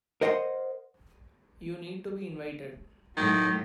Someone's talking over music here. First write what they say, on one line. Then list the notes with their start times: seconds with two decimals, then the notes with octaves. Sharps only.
You need to be invited.
0.21 A#4 C5 D#5 F#5 G5 C6
3.17 A2 D#3 F#3